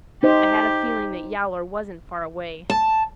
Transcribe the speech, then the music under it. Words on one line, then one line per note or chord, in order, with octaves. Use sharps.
I had a feeling that Yowler wasn't far away.
D#4 G4 C5 D#5
A5